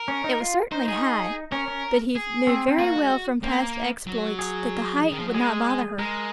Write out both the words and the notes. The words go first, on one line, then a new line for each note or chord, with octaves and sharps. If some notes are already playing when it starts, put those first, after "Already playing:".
It was certainly high, but he knew very well from past exploits that the height would not bother her.
Already playing: A#4
C#4
D#4
F4
D#4 C5
G#4
C#4 A#4
C#4
G#4
C4
C4
A#3 F#4
G#3
A#3 C4
F#3
G#4
D#3
F3
F#3
G#3 G#4
G#3 A#4